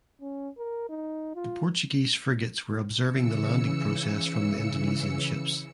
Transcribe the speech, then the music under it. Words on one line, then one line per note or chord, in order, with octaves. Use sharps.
The Portuguese frigates were observing the landing process from the Indonesian ships.
C#4
A#4
D#4
F4
C#3 E3 E6 C#7